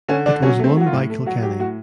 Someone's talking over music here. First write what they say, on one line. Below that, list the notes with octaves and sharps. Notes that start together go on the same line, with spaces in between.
It was won by Kilkenny.
D3 C#4
D3 D4
F#3 C#4
A3 C4
F#3 F#4
F4
A2
A3
F#3 F#4
F#3 G4
A2 F#4